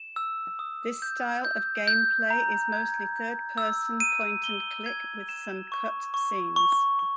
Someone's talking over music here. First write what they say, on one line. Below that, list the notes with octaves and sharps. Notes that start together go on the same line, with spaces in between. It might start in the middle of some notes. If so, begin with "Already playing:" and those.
This style of game play is mostly third-person point-and-click, with some cut scenes.
Already playing: E7
E6
D#6
G6
G6
G6
A#5
G#6
G6
E6
D#7
G7
G#6
E7
C#6
C#6
C#6
C#6